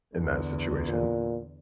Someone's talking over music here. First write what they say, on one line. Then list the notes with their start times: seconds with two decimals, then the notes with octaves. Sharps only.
in that situation.
0.17 E2 D3
0.86 A#2